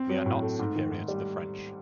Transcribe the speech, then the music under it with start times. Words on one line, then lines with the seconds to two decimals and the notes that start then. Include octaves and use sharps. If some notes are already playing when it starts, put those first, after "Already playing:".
We are not superior to the French.
Already playing: C4
0.10 F#3
0.26 A2
0.42 A3
0.59 G#2
0.75 D#3
0.92 G#2
1.08 G3